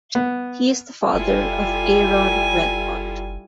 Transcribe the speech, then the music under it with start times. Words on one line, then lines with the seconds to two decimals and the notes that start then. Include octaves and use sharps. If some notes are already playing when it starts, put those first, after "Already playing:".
He is the father of Aaron Redmond.
0.15 B3
1.14 F#1 G3 E4 F4 A4 G#5